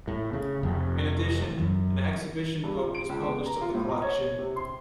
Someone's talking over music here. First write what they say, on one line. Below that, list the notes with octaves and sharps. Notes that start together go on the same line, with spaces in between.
In addition, an exhibition book was published of the collection.
A2
C#3
F1
F#2
G2
F4
D7
C#2
B3
A#5
F4
A2
A#5
C#5
C3
C6